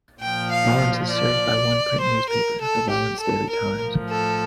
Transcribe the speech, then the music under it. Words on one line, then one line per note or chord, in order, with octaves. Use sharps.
Rawlins is served by one print newspaper, the "Rawlins Daily Times".
A#2 F3 G5
F5
D5
C5
A#4
A4
G4
A4
A#4
A2 F3
A4